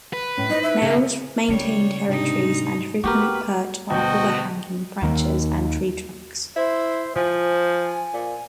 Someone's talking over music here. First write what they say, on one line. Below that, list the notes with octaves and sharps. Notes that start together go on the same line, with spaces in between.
Males maintain territories and frequently perch on overhanging branches and tree trunks.
B4
A2 C#4
D#4 E4 C5 D#5
E5
C#3 A#3 G#4
C#3 G3 C#5
G#2 C3 D4 D#4 G4
A#3 F#4 G4 A#4 B4 G5 D6
D2 B2 F#4 D#5 G5
D#2 D#3 A#3
E4 C5
F3 G#5
A#2